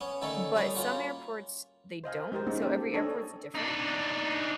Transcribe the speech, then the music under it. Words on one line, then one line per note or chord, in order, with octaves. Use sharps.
but some airports, they don't, so every airport's different,
B3 C#4
D3 D#3 A3 C#4 A4
G3 A3 B3 C#4 D#4
A#3 C#4 F4 F#4 B4
C5 D#5 F5 G#5
G#3 G4 A#4 C5
G#3 A#3 C#4 D#4
G4 C5
A4
D4 A4 C#5 D#5 G#5
D4 D#4